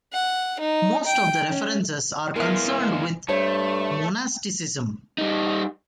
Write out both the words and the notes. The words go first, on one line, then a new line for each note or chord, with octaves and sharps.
Most of the references are concerned with monasticism.
F#5
D#4
G5
C#4
E2 G#3 F4 A#4 E5
G2 A3 C5 C#5 A5
G3 D#4